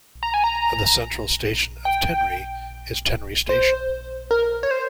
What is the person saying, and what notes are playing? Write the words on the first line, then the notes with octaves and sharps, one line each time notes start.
The central station of Tenri is Tenri Station.
A#5
G#5
A#5
G5
C5
A#4
C#5
C5